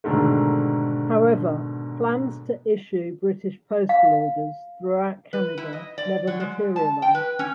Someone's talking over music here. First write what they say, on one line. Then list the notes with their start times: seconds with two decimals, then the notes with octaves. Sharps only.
However, plans to issue British postal orders throughout Canada never materialised.
0.04 G#2 B2 D3 D#3 A3
3.89 F5
5.33 B4
5.58 E4
5.73 D#5
5.98 D5
6.27 F#3
6.40 G#3
6.76 A5
7.02 G5
7.15 B4
7.39 C#4